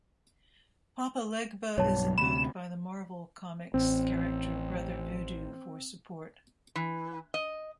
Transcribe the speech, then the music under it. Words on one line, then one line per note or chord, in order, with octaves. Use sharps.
Papa Legba is invoked by the Marvel Comics character Brother Voodoo for support.
B1 G2 C#5 A5
D2 C3 B5 E7
A1 C4
E3
D#5